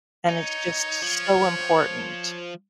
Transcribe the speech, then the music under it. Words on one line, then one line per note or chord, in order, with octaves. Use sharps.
and it's just so important.
D#4 C#5
F3